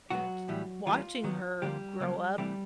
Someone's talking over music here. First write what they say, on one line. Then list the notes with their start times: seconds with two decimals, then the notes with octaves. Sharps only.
and ch watching her grow up
0.10 B2 F#3 G#3 B3 F#4
0.48 A2 E3 G3
0.86 E3 F3 G3 A#3 F4
1.24 D#3 F#3 B3
1.62 D3 F3 G3 A#3 G4
2.00 C#3 F#3 A#3
2.38 C3 E3 G3 A3 C4 G4